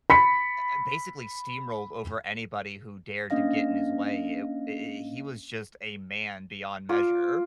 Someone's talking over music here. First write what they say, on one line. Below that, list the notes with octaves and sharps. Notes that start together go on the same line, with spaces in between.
uh, basically steamrolled over anybody who dared to get in his way. It i i he was just a man beyond measure.
B5 B6 C#7
A#3 C#4 D4 D#5 F5 A#6
F4 D6